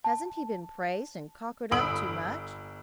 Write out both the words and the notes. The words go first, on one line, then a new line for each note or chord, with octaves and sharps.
Hasn't he been praised and cockered up too much?
A5
G1 B5 D#6 E6 D7 F#7